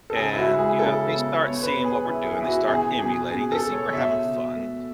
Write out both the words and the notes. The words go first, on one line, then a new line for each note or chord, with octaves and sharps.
and, you know, they start seeing what we're doing. They start emulating. They see we're having fun,
A4
C#3 G#4
E4
F#4
G#3
G#4
C#3 A4
B3
B3 C#5
B4
B3
G#4
E3 E4
G#4
E3
E4
F#4
B2 G#4
B2 G#4
B2 G#4
A4
B2
C#5
B2 E5
B2
A3